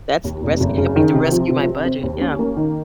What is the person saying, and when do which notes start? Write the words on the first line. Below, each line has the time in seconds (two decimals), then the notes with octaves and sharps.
That's res helping to rescue my budget, yeah.
0.24 D#2
0.43 F1
0.60 F#1
0.78 C#3
0.96 D#3
1.14 C3
1.32 F3
1.49 C3
1.67 C4
1.85 C4
2.03 D#2
2.21 C#4
2.39 A#3
2.57 D#3